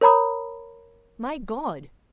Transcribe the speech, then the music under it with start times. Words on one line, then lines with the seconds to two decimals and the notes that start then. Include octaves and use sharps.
My God!
0.01 A#4 C#5 A#5 B5 D#6